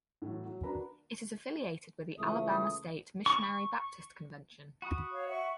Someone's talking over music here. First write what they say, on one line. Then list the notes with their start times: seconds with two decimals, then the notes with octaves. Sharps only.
It is affiliated with the Alabama State Missionary Baptist Convention.
0.22 A2 E3 F#3
0.45 F#3
0.63 D4 F#4 A#4 B4 A#5 B5
2.18 C#2 E3 A3 D#6
3.26 C#6
4.82 F#4 B5 D#6
5.12 C#5 F5
5.29 E5 F#5 C#6